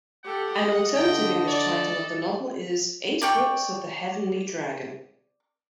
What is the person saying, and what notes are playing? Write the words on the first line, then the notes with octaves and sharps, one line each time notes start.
An alternative English title of the novel is "Eight Books of the Heavenly Dragon".
G4 A4 F#5
D#5
D3 G5
A4 D5
D5 G5 C#6